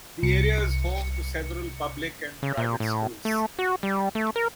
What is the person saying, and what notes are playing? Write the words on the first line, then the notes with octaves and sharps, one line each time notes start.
The area is home to several public and private schools.
C2 C#7
C#3
A#2
A2
A3
F#4
G3
A3
A#4